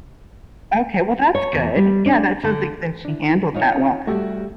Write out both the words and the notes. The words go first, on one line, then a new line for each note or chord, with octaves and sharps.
Okay, well, that's good. Yeah, that sounds like that she handled that well,
C#5
E2
G3
D4
D3
D4 E4
D#4 F4 C#5
G3 A3 F#4 G4 E5